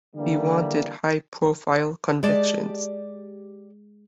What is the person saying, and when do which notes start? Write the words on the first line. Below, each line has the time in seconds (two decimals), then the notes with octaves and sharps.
He wanted high-profile convictions.
0.16 D3 E3 G3 A#3 D4
2.23 G#3 G4 D5 A5